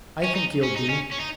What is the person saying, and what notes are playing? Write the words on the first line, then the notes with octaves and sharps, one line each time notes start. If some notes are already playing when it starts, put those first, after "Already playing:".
"I think he'll do."
C#4
D#4
C#4
D#4
C#4
C#4
D#4